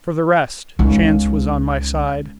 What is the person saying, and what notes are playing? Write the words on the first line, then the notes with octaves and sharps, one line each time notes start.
For the rest, chance was on my side.
C#2 D#4